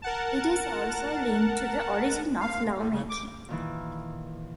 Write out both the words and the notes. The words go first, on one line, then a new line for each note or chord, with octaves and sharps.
It is also linked to the origin of love making.
A#4 F#5 A5
F5
A2
C#3
D6
A#2 D#3 E3